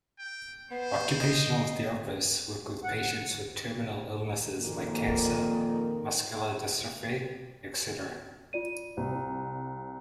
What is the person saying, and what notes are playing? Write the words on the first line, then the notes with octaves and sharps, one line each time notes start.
Occupational therapists work with patients with terminal illness like cancer, Muscular dystrophy, etc.
G5
B3 C5
D#5
F#5
F2 A#2 D#3 A#3
F4 D5 D#7
C2